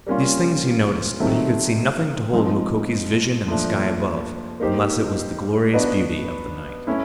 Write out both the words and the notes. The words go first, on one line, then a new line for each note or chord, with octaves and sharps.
These things he noticed, but he could see nothing to hold Mukoki's vision in the sky above unless it was the glorious beauty of the night.
G3 A#3 C#4 F4
C3 D#3 F#3 A3 C4
F3 G#3 C4 D#4
A#2 F3 A3 D4
A#3 D#4 G4 C5
B3 D4 F#4 B4 D#5
A3 C#4 E4